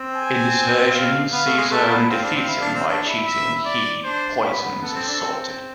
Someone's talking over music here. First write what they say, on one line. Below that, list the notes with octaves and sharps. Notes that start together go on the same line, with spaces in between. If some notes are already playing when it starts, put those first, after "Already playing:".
In this version Caesar only defeats him by cheating-he poisons his sword-tip.
Already playing: C4
G#5
F5
B3 F5
A3
G#3
A3 A5
B3
C4 F5
D4
C4
E4
D4
C4
D4
E4
E5
D5
D4 C5
B3
B3
B3 A4
C4
D4
C4